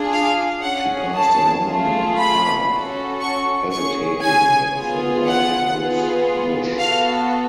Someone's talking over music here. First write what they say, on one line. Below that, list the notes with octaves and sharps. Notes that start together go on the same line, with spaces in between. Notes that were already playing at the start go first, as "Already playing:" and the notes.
She passed along the path, hesitating at the white rose-bush.
Already playing: D4 F4 G#4
F5
C#4 G#4 F#5
A5
A3 F4 G#4
B5
C#4 F#4 A4
C#6
C#4 G#4 C#6
G#5
B3 F4 G#4
F#5
B3 F4 G#4
B3 F#4 A4 F5